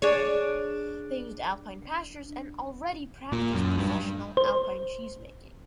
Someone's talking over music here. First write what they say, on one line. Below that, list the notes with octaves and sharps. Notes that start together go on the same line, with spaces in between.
They used alpine pastures and already practiced professional Alpine cheese making.
D4 G#4 C#5
A#2
F#2
G2
C5